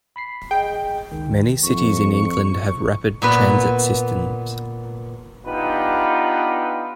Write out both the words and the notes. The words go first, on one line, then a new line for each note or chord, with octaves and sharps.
Many cities in England have rapid transit systems.
B5 B6 C7
G#4 D#5 G5
C#2 D#3
F2 C#6
A#2 B3 B4
B3 D4 D#4 F4 G4 B4